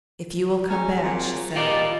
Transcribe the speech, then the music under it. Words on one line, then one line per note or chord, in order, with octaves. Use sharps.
"If you will come back," she said.
C#4 G#4 C#5 A#5
A#2 C4 G#4 C#5 G#5
G3 F4 A#4 D5 D#5